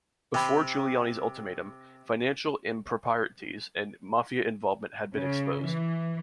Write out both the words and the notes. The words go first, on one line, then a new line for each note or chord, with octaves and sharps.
Before Giuliani's ultimatum, financial improprieties and mafia involvement had been exposed.
C3 G4 B5
C#3
E3